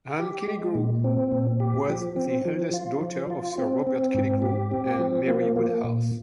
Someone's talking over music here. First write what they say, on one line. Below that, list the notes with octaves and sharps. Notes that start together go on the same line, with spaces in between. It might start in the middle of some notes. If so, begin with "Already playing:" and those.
Anne Killigrew was the eldest daughter of Sir Robert Killigrew and Mary Woodhouse.
G4
G#3
A#2
C4
A#2
G4
F3
C4
F3
F4
F3
F4
C4
C4
G#2
G4
C4
F3
A#3
A#3
A#2